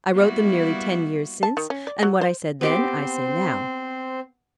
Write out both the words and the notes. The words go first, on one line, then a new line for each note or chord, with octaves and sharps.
I wrote them nearly ten years since; and what I said then, I say now.
G3 A#3 B3 E4 F#4
A5
D#3
C#4
D5
F#3
C5
B3 C4 G4 C5 D6